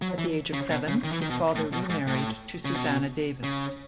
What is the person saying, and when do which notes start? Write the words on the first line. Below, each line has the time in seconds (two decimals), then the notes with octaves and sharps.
At the age of seven his father remarried to Susanna Davis.
0.02 F#3
0.18 E3
0.53 C#3
0.70 B2
0.87 C#3
1.04 D#3
1.12 E3
1.21 D#3
1.30 B2
1.55 A2
1.72 B2
1.89 G#2
2.07 A2
2.65 C#3
2.75 B2
3.43 C#3